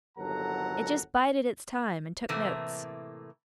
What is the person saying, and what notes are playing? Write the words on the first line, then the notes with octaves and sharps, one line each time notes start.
It just bided its time and took notes.
G1 D#2 F#3 A4 F#5 A#5
A2 C3 E3 A3 A#3